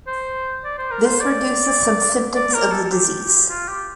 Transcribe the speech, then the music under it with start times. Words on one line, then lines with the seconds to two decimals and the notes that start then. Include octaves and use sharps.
This reduces some symptoms of the disease.
0.07 C5
0.64 D5
0.78 C5
0.91 A#4
1.05 C5
1.21 D5
2.35 D5
2.54 A#4
2.72 A4
2.91 G4
3.49 F4
3.68 G4